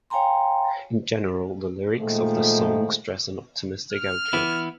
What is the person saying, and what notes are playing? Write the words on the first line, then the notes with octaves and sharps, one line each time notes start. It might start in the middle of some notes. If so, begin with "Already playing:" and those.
In general the lyrics of the song stress an optimistic outlook.
C#5 F5 G5 G#5 A#5 C6
A#2 D#3 F3 G#3 A3
F6
E3 B3 E4